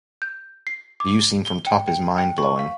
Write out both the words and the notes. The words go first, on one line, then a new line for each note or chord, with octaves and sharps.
View seen from the top is mind-blowing.
G6
C7
D6
G7
G5
G5
G5
C#6
F5